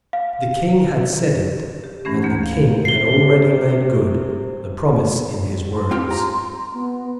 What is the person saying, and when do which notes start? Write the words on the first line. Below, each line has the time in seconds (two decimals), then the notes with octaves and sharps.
The King had said it, and the King had already made good the promise in his words.
0.13 F5
1.84 G4
2.05 G2 E3 A3 C#4
2.22 D2 A#3 G6 G#6
2.43 F5
2.85 C3 C7 G7
5.73 C6
5.91 C4 F4 G4
6.11 A#5
6.74 B3